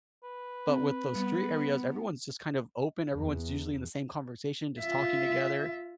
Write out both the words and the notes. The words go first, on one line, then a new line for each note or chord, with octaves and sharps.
but with those street areas, everyone's just kind of open. Everyone's usually in the same conversation, just talking talking together.
B4
C4
G3 B3
E2
F4 E5